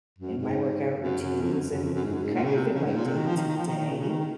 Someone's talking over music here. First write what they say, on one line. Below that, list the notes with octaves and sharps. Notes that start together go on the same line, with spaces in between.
in my workout routines and kind of in my day-to-day,
F#2
G#2
F#2
F#2
F2
F#2
F#2
F2
F#2
G#2
F#2
G#2
A#2
C#3
C3
C#3
G#2
A#2
C3
D#3
F3
D#3
D#3
F3
D#3
D#3
C#3
C#3
D#3
D#3